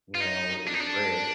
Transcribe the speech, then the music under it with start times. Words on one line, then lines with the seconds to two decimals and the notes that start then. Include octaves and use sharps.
you know, which was great.
0.15 F4
0.20 D#4
0.67 D4
0.74 D#4
0.81 D4